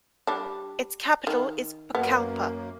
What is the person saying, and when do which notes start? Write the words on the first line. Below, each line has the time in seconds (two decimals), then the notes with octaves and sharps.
Its capital is Pucallpa.
0.27 G3 D4
1.27 D#3
1.95 F#2 A#3 B3